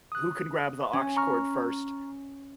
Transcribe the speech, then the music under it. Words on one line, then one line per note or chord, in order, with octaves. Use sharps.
who can grab the aux cord first
D#6 F#6
C#4
A#5 C#6 F6